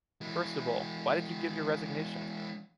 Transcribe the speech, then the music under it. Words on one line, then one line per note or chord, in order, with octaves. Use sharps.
First of all, why did you give your resignation?
E3 G#3